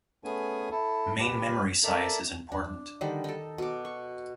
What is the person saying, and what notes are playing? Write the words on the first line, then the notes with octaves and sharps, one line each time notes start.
Main memory size is important.
A3 B3 C#4 G#4 G#5
E4 A4
G4 B4
A4 A#4 D5 E5
D4
D3 D#3 G3 D#4
D#4 A4
B2 D6
C#6